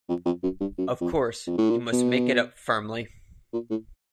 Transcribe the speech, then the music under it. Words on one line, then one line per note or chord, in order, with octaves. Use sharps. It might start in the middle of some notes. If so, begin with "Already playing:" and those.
Of course, you must make it up firmly.
F2
F2
F#2
G2
F#2
F2
F2
A2
A#2
B2
A#2
A2